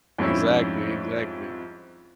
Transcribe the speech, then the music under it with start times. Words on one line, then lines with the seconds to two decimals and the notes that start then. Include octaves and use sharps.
Exactly exactly,
0.18 F2 G#2 G3 C#4 E4